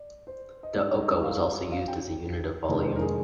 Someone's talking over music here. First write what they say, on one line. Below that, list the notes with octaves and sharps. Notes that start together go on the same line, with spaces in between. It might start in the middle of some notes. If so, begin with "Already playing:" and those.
The oka was also used as a unit of volume.
Already playing: D5
C5
D#5
G#2 G3 D4 D5
D#5
F5
F5
G5
F1 F2 D#3 G#3 D4 A#4
C5
A#4
G#4